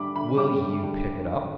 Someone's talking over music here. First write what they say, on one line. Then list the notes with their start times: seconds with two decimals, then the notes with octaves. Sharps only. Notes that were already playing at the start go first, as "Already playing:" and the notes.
'Will you pick it up?'
Already playing: D3 G3 D4 B5 D6
0.16 D3 B5
0.37 G3 D4 D6
0.60 D3
0.82 G3 D4